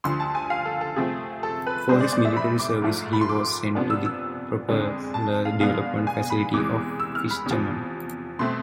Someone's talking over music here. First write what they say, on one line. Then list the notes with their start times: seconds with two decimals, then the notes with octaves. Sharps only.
For his military service he was sent to the propeller development facility of Fischamend.
0.04 D2 D3 F3 C6
0.20 A5
0.35 G#5
0.50 F5
0.65 A4
0.81 A4
0.96 C3 F3 A3 C4 G#4
1.43 A4
1.67 B4
1.89 B2 G#3 D4 C5
2.01 D5
2.13 D5
2.25 E5
2.37 B5
2.59 D6
2.82 G#2 F3 A3
3.13 B5
3.21 C6
3.29 D6
3.75 C3 F3 B3 D4
3.90 E6
4.06 E6
4.69 F2 D3 G#3 D4
5.14 A5
5.45 F5
5.60 B2 G#3 B3 D4 F5
6.07 G#5
6.30 B5
6.53 E2 C3 E3 G#3 D6
7.00 E6
7.15 F6
7.31 B5
7.46 E2 C3 F3
8.39 B2 A3 C4 C6